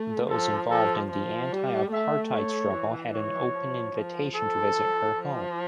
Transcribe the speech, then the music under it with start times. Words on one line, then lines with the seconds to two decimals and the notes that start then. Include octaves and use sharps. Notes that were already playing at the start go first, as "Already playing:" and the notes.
Those involved in the anti-apartheid struggle had an open invitation to visit her home.
Already playing: A3
0.30 F3 A4
0.71 F3 A4
1.11 F3
1.52 G3
1.92 A3 E5
2.32 C#5
2.73 E3
3.14 C#5
3.55 F3
3.95 F3
4.35 F3 A4
5.17 F3